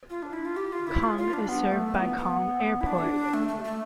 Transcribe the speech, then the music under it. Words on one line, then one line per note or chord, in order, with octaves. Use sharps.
Kang is served by Kang Airport.
F4
D4
E4
F4
G4
F4
E4
F4
F4
D4
B3
A3
B3
B3
E4
D4
A3
A3
A3